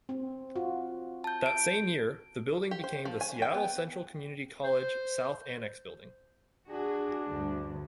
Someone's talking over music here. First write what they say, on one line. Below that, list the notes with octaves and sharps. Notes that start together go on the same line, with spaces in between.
That same year, the building became the Seattle Central Community College south annex building.
C4
F4 F#4
A5 G6
D7
G4
C5
F3
G#5
G5
B3
C5
D4 F#4 G#4
D2 G2